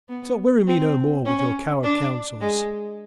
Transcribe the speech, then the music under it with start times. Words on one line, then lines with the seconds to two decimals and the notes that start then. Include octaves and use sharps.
So weary me no more with your coward counsels.
0.09 B3
0.67 C4
1.25 C#4
1.83 D4
2.41 G#3